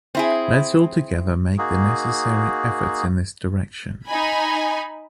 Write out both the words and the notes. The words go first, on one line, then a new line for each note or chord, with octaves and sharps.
Let's all together make the necessary efforts in this direction.
C4 E4 G#4
A#3 D#4 F#4 G#4
D#4 G#5 B5